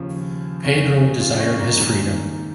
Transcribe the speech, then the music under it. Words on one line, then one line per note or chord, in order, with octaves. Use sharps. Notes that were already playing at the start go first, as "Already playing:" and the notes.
Pedro desired his freedom.
Already playing: D#2 C#3 F3 C#4
F2 C#3 F3 C#4
G#4
F4
C#4
A#3
G#2 D#3